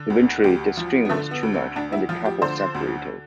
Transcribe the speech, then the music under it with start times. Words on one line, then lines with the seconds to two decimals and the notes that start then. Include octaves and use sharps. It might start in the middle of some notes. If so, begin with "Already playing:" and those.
Eventually, the strain was too much and the couple separated.
Already playing: D3
0.10 D2
0.44 D2 G4
0.77 F3
1.05 B3
1.09 D3 A3
1.31 B3
1.43 D2
1.54 C4
1.76 D2 D4
1.92 E4
2.09 F3 F4
2.25 G4
2.42 D3 C5
2.75 D2